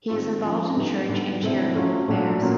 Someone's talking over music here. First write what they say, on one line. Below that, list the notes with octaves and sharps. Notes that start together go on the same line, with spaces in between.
He is involved in church and Charitable affairs.
D#3 G#3 C4 F4
F3 A3 C#4 F4
D3 G3 B3 D#4
D3 G3 B3
C3 E3 A3 C4 E4
F#3 A3 C#4 F4
A#2 F#3 A3 D4
A#2 F#3 A#3 C#4